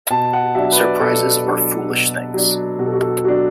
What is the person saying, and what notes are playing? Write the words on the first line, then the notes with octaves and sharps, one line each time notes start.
Surprises are foolish things.
B2 A5
F#5
F#3 D4 E5
B4
D5
B2 A4
F#3 D4
B2
F#3 D4
B2 F#4
A4
F#4
A4
F#4
F#3 D4 F#4